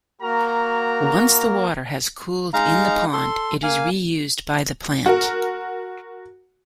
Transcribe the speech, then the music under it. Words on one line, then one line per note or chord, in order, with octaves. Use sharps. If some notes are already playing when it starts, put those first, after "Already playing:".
Once the water has cooled in the pond, it is reused by the plant.
A#3 F#4 A#4 A#5
G#3 D#4 F5 A#5
A4 C6
A#3 F5 G#5
F#4 A#4